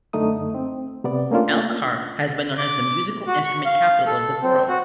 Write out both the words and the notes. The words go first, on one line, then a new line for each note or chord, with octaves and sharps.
Elkhart has been known as "The Musical Instrument Capital of the World".
F#2 D3 A3 D#4 D#6
C4
C3 B3 D5
A3 A#3 C#4 D4 F4
D6
F#4
C#6
F5
A4
C4
F#4